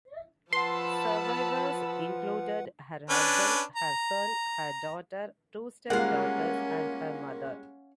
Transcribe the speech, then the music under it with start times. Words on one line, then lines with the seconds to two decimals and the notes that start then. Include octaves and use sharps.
Survivors included her husband, her son, her daughter, two stepdaughters, and her mother.
0.53 F3 B4 F#5 A5 B5 C6 E6
3.10 C#4 D4 B4
3.76 A#5
5.90 G3 G#3 A#3 C#4 F4 F5 F#5